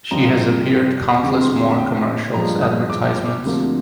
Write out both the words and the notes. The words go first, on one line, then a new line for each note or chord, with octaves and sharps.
She has appeared countless more commercial advertisements.
G2 F3 G#3 C4 A#5
F2 D3 G#3 C4 D6
C6
C6
G5
G2 F3 G#3 A#5
D#6
D6
D2 C3 F3 A#3 D4